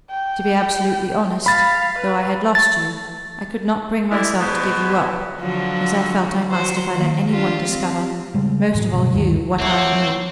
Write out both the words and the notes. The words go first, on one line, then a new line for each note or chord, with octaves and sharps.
To be absolutely honest--though I had lost you, I could not bring myself to give you up,--as I felt I must, if I let any one discover--most of all you--what I knew.
G5
F5 B5 A6
B4
A6
D3 E3 G3 G#3 D4 E4
G#2 B2 B3
D3 F3 F#3
F#3 C5
D#3 A#3
D4 F4 G4
C4
C#3 G3 G#3
A2 E3 F#3
G2 B2 D3
D2 G2 D#3 E3
A3 A#3 C4 E4 C#5 F#5